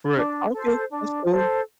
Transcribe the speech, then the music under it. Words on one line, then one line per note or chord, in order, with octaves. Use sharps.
Right, okay, that's cool.
D4
A4 C5
D4
A4 C5